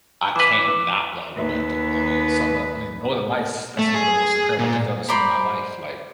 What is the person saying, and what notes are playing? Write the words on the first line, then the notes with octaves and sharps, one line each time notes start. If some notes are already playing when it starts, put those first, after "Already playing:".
I can not want to go back there, I mean, something about, I mean, Northern Lights, that's one of the most incredible things I've ever seen in my life, like,
E3 B4 D6
D#2 B4
A3
G#4
A#2
C5 D5 A#5 B5